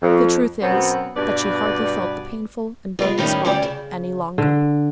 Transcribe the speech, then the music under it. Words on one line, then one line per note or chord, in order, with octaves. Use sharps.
The truth is, that she hardly felt the painful and burning spot any longer.
F2
F#2 B2 B3 C4
G2 B2 G3 B4 D5
G#3 B3 F4
A2 D#3 G3 C#4 D#4 E4
D2 G3 C#4 G4 D5
C#3
D3